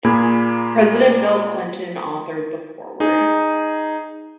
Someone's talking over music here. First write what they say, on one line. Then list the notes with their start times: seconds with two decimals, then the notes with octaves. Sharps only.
President Bill Clinton authored the foreword.
0.05 A#2 A#3 G#4 B5 G#6
3.00 D#4 G#4